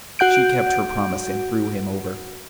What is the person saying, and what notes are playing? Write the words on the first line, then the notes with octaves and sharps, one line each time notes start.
She kept her promise and threw him over.
F#4 F#5 G6 D7